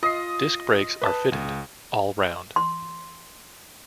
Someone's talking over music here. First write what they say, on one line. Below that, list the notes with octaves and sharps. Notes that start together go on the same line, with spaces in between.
Disc brakes are fitted all round.
F4 D#5 C7
B4 A5
C#2
C6